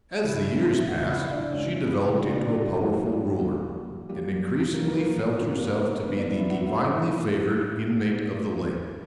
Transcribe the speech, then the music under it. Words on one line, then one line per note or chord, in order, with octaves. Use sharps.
As the years passed she developed into a powerful ruler, and increasingly felt herself to be the divinely-favoured inmate of the lake.
C#2 C#3 F#3 E4 E5
E5
C#2 C#3 F#3 F#4 F#5
E4 E5
D4 D5
C#2 C#3 F#3 C#4 C#5
E4
C#2 C#3 F#3 F#4
D4 D5
G3 G4
F#4
F#2 E3 A#3 F#4
F#2 E3 A#3
F#2 E3 G3 A#3 G4
F#2 E3 A#3 A#4
B4
A#3 A#4
G2 D3 G3 B3 A#4
G4
A#3 A#4
G2 D3 G3 B3 B4
D4 D5
E4 E5
F#4 F#5
G2 D3 G3 B3 E4 E5
D4 D5